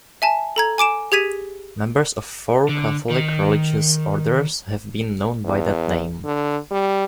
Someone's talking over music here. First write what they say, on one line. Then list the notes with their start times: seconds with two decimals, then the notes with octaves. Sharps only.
Members of four Catholic religious orders have been known by that name.
0.22 E5 G#5 A5
0.56 A4 A#5 G#6
0.78 G#5 D6 D7 E7
1.12 G4 G#4 G#6 B6 D#7
2.69 D3
3.10 D#3
5.45 E2
6.24 D3
6.71 G3